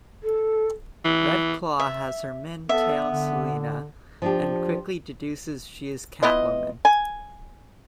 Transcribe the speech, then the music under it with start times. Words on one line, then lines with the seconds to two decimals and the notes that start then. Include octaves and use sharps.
Red Claw has her men tail Selina and quickly deduces she is Catwoman.
0.23 A4
1.05 E3
1.80 E5
2.69 B3 A4 E5
3.05 D3
4.22 F3 D4 G4
6.23 B3 E4 F4 D#5
6.85 G#5